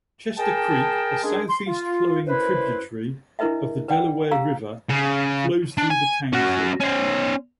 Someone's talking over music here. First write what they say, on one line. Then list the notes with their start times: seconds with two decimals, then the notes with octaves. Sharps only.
Chester Creek, a southeast-flowing tributary of the Delaware River, flows through the township.
0.37 G#4 A#4 G5 A5
1.23 G#3 A#3 C#4 D4 G#4
1.48 C6
1.67 F4
2.26 F#2 E4 B4 C5
3.39 D4 E4 A#4 B4 D#5 E5
3.88 B4 D5 F#5 G5
4.31 G4 F5 A#5 E6
4.90 C#3
5.78 D4
5.90 G#5
6.33 C#4 F#4
6.80 C#4 C5